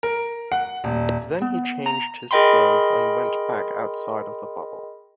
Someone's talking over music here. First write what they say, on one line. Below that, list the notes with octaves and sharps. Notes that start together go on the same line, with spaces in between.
Then he changed his clothes and went back outside of the bubble.
A#4
F#5
D#1
B3
A#5
G#4 A#4 D#5 G5 B5 C6